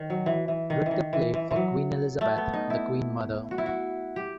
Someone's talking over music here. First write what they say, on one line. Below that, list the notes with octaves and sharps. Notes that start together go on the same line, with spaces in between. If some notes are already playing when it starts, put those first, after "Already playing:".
Richter played for Queen Elizabeth The Queen Mother.
Already playing: D#3
F#3
E3
E3
D#3
E3
D#3
E3
E3
E3
F#3
A3
B3
D#4
E4
F#4
E4
F#4
G4